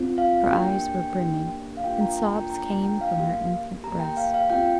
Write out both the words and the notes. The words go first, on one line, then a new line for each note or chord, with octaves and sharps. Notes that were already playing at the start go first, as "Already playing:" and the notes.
Her eyes were brimming, and sobs came from her infant breast.
Already playing: C4 F4
F5
A#3 D4 G4 G5
A#3 D4 G4
F5
A#3 D4 F4 G5
A#5
A#5
G5
A#3 D4 F4 A#5
A#5
G5
F5
A#3 G4
A#3 G4 A#5
G5
F5
F5
C4 F4 G5